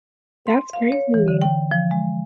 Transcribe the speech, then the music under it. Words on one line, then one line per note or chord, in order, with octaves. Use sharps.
That's crazy.
C6
F5
C#5
E3
D3
G5
F3
G#3